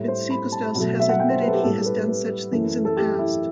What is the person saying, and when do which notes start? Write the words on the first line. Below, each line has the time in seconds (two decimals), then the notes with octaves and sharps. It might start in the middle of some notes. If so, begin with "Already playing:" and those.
Mitsikostas has admitted he has done such things in the past.
Already playing: A2 G3 E4
0.08 C5
0.30 B5
0.52 A5
0.75 B2 F#3 A3
1.00 E5
1.09 F#5
1.20 G5
1.30 C5
1.41 B4
1.48 A4
1.53 G4
1.63 A2 G3 A4
1.82 A4
1.86 B4
2.08 B4
2.52 F#2 E3 A3
2.85 A4
2.97 G4
3.19 E4